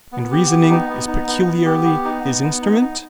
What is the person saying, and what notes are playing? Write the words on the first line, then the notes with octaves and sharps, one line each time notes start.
And reasoning is peculiarly his instrument?
B3
G4
B3
D#4
B3
D#4
B3
B3
G4
B3
D#4
B3
B3
D#4
D#4